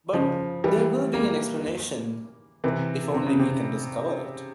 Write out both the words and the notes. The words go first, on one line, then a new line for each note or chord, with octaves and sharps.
But there will be an explanation — if only we can discover it.
C#3 F3
E3 G3
G3 A#3
C3 E3
C3
C#3
C3